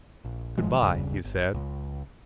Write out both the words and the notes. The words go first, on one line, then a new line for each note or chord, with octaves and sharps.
"Good-bye," he said.
A#1
F1 D#3 F3 G#3
G1 D#2 C#3 G3
G1
C#2